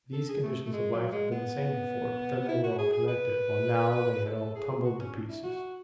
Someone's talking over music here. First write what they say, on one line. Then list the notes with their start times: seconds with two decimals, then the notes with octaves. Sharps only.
These conditions of life had been the same before, but then they were all connected, while now they had all tumbled to pieces.
0.13 A4
0.28 G#4
0.43 A3
0.65 A3
0.72 G#3
0.92 F#3
1.12 G#3
1.31 B3
2.48 E4
2.64 F#4
2.78 G#4
2.92 G#4
3.08 B4
4.25 A4
4.55 G#4
4.84 F#4
4.99 C#4
5.14 D4
5.28 E4
5.43 F#4